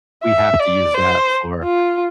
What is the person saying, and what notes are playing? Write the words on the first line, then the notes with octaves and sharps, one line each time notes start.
we have to use that for,
E5
D5
C5
F4